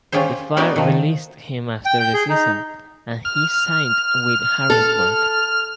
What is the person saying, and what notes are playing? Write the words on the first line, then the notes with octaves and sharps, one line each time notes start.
The Fire released him after the season, and he signed with Harrisburg.
C#4 F4 G4 G#4 C5
B3 F#4 G4 A#4 D5 D#5
D#3 F3
G5
G6
G#4
D#4
F6
A4